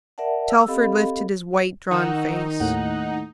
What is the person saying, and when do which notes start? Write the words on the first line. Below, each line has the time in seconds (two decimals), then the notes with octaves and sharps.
Telford lifted his white, drawn face.
0.18 A#4 D5 E5 F#5 A5
0.50 E6
0.68 C4 G4 A4 D#5 F5 B5
1.91 D#3 D#4 F#5 C#6 E6
2.60 D#2 A2 F#5